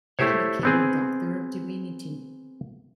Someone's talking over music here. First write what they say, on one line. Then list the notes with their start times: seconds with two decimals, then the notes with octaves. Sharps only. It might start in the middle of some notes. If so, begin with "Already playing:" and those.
He became a Doctor of Divinity.
0.19 A3 E4 G4 C5 C#5
0.63 B3 C4 G#4